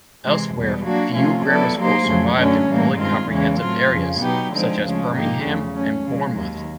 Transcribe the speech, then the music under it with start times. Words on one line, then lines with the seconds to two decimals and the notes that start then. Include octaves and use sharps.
Elsewhere few grammar schools survived in fully comprehensive areas, such as Birmingham and Bournemouth.
0.24 C3 E3 G#3 C4
0.56 E2 B2 G3 B3
0.86 F#3 A#3 D4 F#4
1.16 C3 F3 A3 C#4 F4
1.46 F#3 B3 E4 A4 D5
1.77 F#3 A#3 D#4 G4 C5
2.07 F2 C#3 F#3 A3
2.38 F#2 D3 F#3 A3 C#4
2.69 A2 E3 G3 A#3
2.99 G2 D#3 G#3 C4 F4
3.29 E2 C#3 E3 G#3 C#4
3.60 A2 F#3 A3 C4 F4
3.91 F2 C#3 F3
4.21 B2 F#3 B3 D#4 G4
4.52 D3 F3 G#3 C4 D#4
4.83 D2 C#3 F3 G#3 C#4
5.14 G#2 F3 A#3 D#4 G4
5.44 E2 C#3 F3 A3
5.74 F#3 A3 C#4
6.06 C#3 F3 G#3
6.36 D#2 D#3 F#3